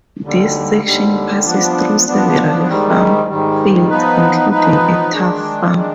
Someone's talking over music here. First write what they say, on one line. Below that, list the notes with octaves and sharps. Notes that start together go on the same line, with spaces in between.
This section passes through several farm fields, including a turf farm.
D#2 D3 G3
D#2 D3 G3
F3 B3 D4
F3 B3 D4
G#2 D#3 G3
G#2 D#3 G3
F3 B3 D#4 B4
F3 B3 D#4 B4
D#3 G#3 D4
D#3 G#3 D4